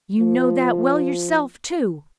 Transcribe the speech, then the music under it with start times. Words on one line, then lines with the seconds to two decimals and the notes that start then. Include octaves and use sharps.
You know that well yourself, too.
0.20 F3